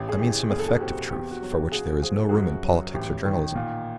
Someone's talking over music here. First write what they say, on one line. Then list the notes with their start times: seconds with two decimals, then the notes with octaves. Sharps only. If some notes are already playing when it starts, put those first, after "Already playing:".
I mean some effective truth, for which there is no room in politics or journalism.
Already playing: A1 G4
0.09 G#4
0.19 E3 G4
0.50 F#1 G#4
0.59 A4
0.68 F#4 G#4
0.80 C3 G4
1.11 E2 G4
1.31 F#4
1.42 F#3
1.52 G4
1.72 C#2 F#4 G#4
2.02 F3 G#4
2.16 A4
2.29 F#2 F#4 G#4
2.64 F#3
2.94 A1 G4
3.25 D#3
3.55 A#2